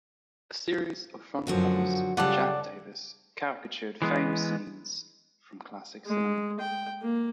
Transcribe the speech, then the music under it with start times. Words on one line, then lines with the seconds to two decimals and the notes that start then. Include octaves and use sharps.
A series of front covers by Jack Davis caricatured famed scenes from classic cinema.
1.47 F#2 D3 F3 F#3 F#4
2.17 C#3 G3 F4 A4 D5 F#5
4.02 E3 G#3 B3
6.06 G#3
6.59 G5
7.02 A#3